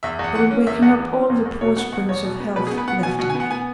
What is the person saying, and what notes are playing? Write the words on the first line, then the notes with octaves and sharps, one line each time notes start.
It will waken up all the poor springs of health left in me.
E2 E5
E2
F#5
E3 F#5
C#4
E2 E5
E2 F#5
E3
C#4
E2
E2
B2 C#5
B3 F#5
E2 F#5
E2 C#5
B2
B3
B2 B4
G#4
B3
B4
B3 F#5
B2 G#5
B2 F#5
G#5
B3
F#5
B3 G#5